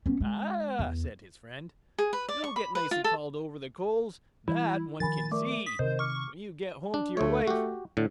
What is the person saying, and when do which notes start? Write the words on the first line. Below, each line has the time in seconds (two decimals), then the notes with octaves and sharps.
'Ah!' said his friend, 'you'll get nicely called over the coals, that one can see, when you get home to your wife.
0.06 B3 C#4
0.20 G#3
0.79 E2
1.98 G#4
2.13 B4
2.29 D5
2.44 C#6
2.56 B5
2.75 B4
2.91 F4
3.04 A4
4.48 E3 G3 E4
5.00 D#3 F3 A#4 G#5 B5 A6
5.31 A3 A#4 D5 D6
5.66 D#6 B6
5.79 C3 D#3 A#4 C5 D#5
5.99 C#6 D6 F6 C#7
6.94 D4
7.17 D2 A3 C#5
7.47 F#4 G4
7.97 A2 D3